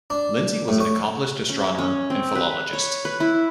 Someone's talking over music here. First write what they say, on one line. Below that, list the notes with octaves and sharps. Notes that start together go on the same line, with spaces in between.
Lindsay was an accomplished astronomer and philologist.
D4
A2
C#5
C#4
C#4
C4
B4
C#5
B4
E4